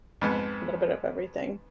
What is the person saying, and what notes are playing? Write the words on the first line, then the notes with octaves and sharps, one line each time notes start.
a little bit of everything.
F2 G#2 B3